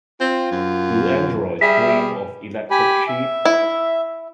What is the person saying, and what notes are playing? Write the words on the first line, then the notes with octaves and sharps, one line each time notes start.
Do Androids Dream of Electric Sheep?
C4 F4
F#2
G3 G#4 E5
G4 G#5 B5
E5
E4